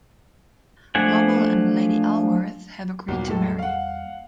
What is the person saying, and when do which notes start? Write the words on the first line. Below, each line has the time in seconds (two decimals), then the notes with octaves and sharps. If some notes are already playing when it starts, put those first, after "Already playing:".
Lovell and Lady Allworth have agreed to marry.
0.95 F3 A3 D4 F#5 G#5
3.08 B1 E2 A#2 G3 A#3
3.28 A2 G#3 A4
3.59 F5 F#5